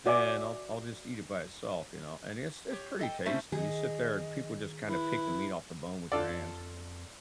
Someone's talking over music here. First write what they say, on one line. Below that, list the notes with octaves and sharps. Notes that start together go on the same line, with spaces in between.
and I'll I'll just eat it by itself, you know? And it's it's pretty tasty, you sit there and people just kinda pick the meat off the bone with your hands.
F#4 D5 E5 G#5 D6
G4 C#5
A4 D#5 G5
A3 C#4 D4 E4 C5
D#3 G#4 D#5
E4 B4
F2 F4 A4 D5